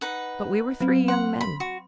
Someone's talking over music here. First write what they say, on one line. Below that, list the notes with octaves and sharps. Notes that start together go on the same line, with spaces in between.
But we were three young men.
D#4 B4 F#5
F#3 C4
F#5 C6
B5
F#4